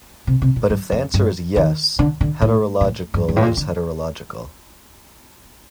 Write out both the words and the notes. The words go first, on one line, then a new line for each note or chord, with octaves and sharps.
But if the answer is 'yes', "heterological" is heterological.
C3
C3
A#2
G2
F2
G2
D#3
D3
D3
A2
G2
A2
G2
G2
A2
A#2
D3